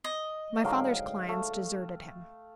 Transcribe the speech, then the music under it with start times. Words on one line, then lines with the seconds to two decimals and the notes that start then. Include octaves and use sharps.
My father's clients deserted him.
0.04 D#5
0.64 G#2 D3 F#3 F5 G5
1.29 A3